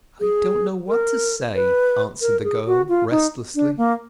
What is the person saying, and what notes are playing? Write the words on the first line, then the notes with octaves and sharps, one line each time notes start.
"I don't know what to say!" answered the girl restlessly.
G#4
A#4
B4
A#4
G#4
F#4
F4
D#4
D4
A#3